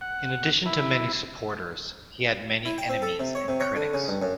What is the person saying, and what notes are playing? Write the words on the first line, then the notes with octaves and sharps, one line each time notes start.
In addition to many supporters, he had many enemies and critics.
F#5
E4
E4
G5
C4
A4
C3
C#5
C3
C#5
D3
C#3
G2
F#2